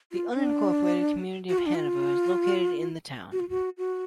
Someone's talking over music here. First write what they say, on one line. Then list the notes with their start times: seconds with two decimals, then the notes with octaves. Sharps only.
The unincorporated community of Hanover is located in the town.
0.12 F4
0.35 D4
1.49 F#4
1.58 F4
1.66 D4
1.75 F4
3.32 F#4
3.40 F4
3.50 F#4
3.78 F#4